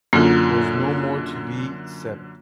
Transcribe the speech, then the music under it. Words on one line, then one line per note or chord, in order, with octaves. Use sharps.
Then there is no more to be said.
F#2 D3 A#3 F4